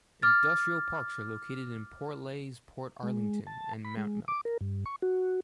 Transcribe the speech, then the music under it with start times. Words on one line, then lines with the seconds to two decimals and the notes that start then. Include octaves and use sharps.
Industrial parks are located in Portlaoise, Portarlington and Mountmellick.
0.22 D6 F6 A6
3.03 G#3
3.47 A5
3.85 B5
3.97 G#3
4.28 D6
4.45 A#4
4.61 G2
4.86 C#6
5.02 F#4